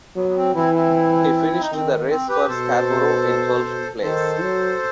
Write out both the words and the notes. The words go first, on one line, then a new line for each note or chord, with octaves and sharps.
He finished the race for Scarborough in twelfth place.
F#3 B3
B3
C4
E3 C4 E4
C4 E4
D#4
D#3 C4
C4
G4 B4
B2 A4 C5
D#3 A4 C5
F#3